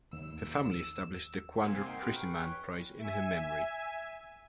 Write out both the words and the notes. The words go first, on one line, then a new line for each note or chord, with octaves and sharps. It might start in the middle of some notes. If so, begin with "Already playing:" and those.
Her family established the Quandra Prettyman Prize in her memory.
D#2 E6
G2 C3 A#3 C4 G#4 G#5 C6
D#4 F#5 G5 C6
G4 G#4 B4 F6
C#6
C#4 C#5
E5 G#5